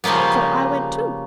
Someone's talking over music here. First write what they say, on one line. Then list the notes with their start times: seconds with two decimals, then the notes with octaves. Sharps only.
So I went too.
0.04 C#3 F3 G3 A#3 B3